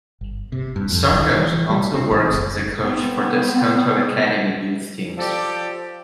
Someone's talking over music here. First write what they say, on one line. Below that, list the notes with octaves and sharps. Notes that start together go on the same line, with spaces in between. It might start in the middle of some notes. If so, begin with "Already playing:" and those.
Starkovs also works as a coach for the Skonto Academy youth teams.
G1
C3
G2
F2
D1
D#3
E3
G3
C4
A1
F#1
B3 C4
F3 G4 A4 D5